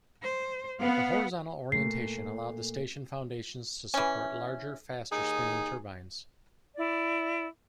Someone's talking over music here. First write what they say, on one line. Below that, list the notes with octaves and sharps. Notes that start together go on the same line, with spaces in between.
The horizontal orientation allowed the station foundations to support larger, faster spinning turbines.
C5
B3 F5 F#5
A#2 A3 C7
E3 C#4
D#2 D#4 G#4
E4 D5